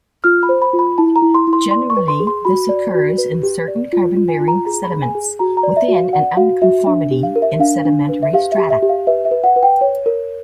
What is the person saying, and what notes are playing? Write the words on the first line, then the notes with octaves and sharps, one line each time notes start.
Generally this occurs in certain carbon-bearing sediments, within an unconformity in sedimentary strata.
F4 F6
B5
C5
B5
F4
B5
E4 A5
A#5
E4
C6
E4
C6
D5 C6
C#6
B4
C6
G#4
C6
F#4 B5
D5
F#4
B4
G4
D5
F4
F4
G#5
F4
A#5
G#4 A#5
B5
G#4
G#5
G#4
F#4 A#5
A#5
D5
E5
F#4
F5
D5 F#5
F#4 F5
F#4 E5
D4 E5
G4
F5
A#4
E5
D4 F5
D4
B4
E5
G4 F5
E5
G4
E5
G4
F5
B4 E5
E5
B4
F#5
B4
G5
C#5
A#4